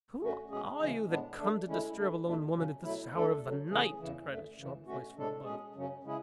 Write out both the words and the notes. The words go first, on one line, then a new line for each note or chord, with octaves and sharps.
"Who are you, that come to disturb a lone woman at this hour of the night?" cried a sharp voice from above.
F#2 D3 A3 C#4 F#4
B2 G#3 C#4 G#4
D2 C#3 E3 G#3 C#4
A2 G#3 B3 D4
D3 A3 D4
D2 D3 G#3 C#4 E4
D3 A3 D4
E2 B2 A3 D4
F#2 C#3 F#3 C#4
B2 F#3 A3 E4
E2 D3 A3 D4 A4
D2 D3 F#3
C#3 E3 A3 C#4 G#4
E2 C#3 E3
F#2 D3 A3
F#2 C#3 E3
B2 A3 C#4 F#4
A2 G#3 D4 A4
B2 G#3 C#4 G#4
F#2 C#3 F#3 C#4
C#3 G#3 C#4 E4 G#4